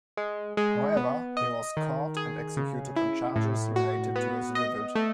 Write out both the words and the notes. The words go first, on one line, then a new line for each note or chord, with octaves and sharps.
However, he was caught and executed on charges related to his visit.
G#3
G#3
B3
D#5
D#3
G#4
C#3
E4
A2
F#4
B3
D#5
A3